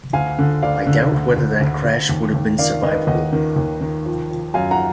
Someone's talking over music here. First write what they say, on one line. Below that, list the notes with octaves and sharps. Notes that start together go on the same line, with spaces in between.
I doubt whether that crash would have been survivable.
D2 F5 G#5
D3
D2 D5 F5
D3
D2
D2
D2
D2
D#2
D#2
D#3 D5 F5
D#3 B4 D#5
D#2 D#5 F#5
D#3
D#2
D#3
F3
F3
F#2 F5 G#5
F#5 A#5